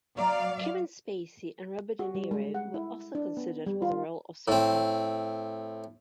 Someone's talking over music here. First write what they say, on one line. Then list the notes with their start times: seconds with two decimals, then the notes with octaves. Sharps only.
Kevin Spacey and Robert De Niro were also considered for the role of Smecker.
0.17 F#3 A#3 D5 E5 F5 A#5
1.99 F#4
2.15 G3
2.31 G#3
2.55 F#5
2.74 E4
3.15 D4
3.37 B3
3.66 G3
3.82 F4
4.48 A2 C4